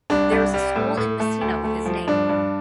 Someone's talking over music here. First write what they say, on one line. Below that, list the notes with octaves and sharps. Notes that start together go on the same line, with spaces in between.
There is a school in Messina with his name.
C2 D4
C2
G3
A2
A2
A3
D2
A3
F3
G2 D4
G2